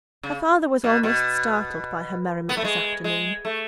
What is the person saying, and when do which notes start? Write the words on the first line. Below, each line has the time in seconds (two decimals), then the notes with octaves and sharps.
Her father was almost startled by her merriment this afternoon.
0.23 C#3
0.84 B2
1.03 B2
2.49 B3
2.57 A3
2.64 G#3
3.04 G#3
3.45 A3